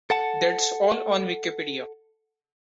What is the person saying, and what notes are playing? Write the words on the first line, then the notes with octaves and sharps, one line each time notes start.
That’s all on Wikipedia.
A4 F#5 A5